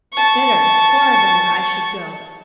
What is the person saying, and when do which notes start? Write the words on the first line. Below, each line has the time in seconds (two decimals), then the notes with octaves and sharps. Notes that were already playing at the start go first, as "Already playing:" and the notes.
Better--far better--I should go.
0.13 A5 C#6